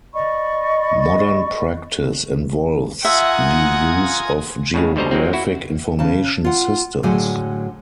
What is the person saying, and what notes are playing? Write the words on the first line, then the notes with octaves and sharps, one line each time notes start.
Modern practice involves the use of Geographic Information Systems.
D5 D#5 B5 C#6
F4 E5 F#5 G#5 A#5 D#6
A2 C#3 G#3
B2 D3 G3 C5 D#5 A#5
F3 F#3 G#3 A#3 C4
E4 F#4
C#3 A5
F4 F#5
A2 D3 F#3 G#3 G#5